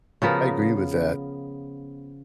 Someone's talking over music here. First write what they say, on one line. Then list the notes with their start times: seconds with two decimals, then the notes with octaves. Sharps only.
I agree with that.
0.22 C#3 F3 B3 A#4